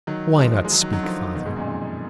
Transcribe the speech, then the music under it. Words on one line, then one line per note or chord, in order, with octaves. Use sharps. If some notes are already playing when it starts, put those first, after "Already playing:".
Why not speak, Father?
D#3 F#3
F3 G#3
G#3
D#3 F#3
D#3 F#3
D#3 F#3
D3 F3
B2 D#3
G#2 B2
F#2 A#2
F2 G#2